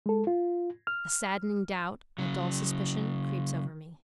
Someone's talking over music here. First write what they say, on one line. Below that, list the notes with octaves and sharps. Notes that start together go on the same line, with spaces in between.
A saddening doubt, a dull suspicion, creeps over me.
G#3 A4
F4
F6
C#3 F#3